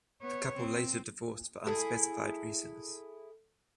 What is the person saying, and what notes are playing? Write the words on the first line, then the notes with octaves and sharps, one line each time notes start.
The couple later divorced for unspecified reasons.
B3 C#5
C4
E4 G#4 A4